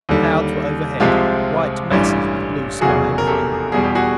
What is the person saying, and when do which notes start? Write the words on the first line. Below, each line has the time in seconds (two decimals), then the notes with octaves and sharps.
Clouds were overhead, white masses with blue sky behind them.
0.09 D#2 D3 G3
1.00 C2 C3 F3 G#3 F4 G4
1.91 A1 G2 E3 G3
2.81 F1 E2 C#3 F#3 F#4 G#4
3.18 A#4
3.27 G4 A4
3.72 E2 B2 G3 G#4
3.84 G4
3.95 F#4 G#4